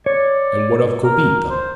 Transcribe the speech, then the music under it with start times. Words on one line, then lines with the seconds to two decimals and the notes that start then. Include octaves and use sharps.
"And what of Kobita?"
0.06 C#5 D5
1.04 A#4
1.50 C5